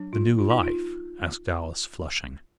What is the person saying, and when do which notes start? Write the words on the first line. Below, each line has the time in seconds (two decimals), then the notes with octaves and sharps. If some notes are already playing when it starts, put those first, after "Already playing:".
"The new life?" asked Alice, flushing.
Already playing: F#3 D4
0.13 F4
0.38 F4
0.50 D#4
0.63 F4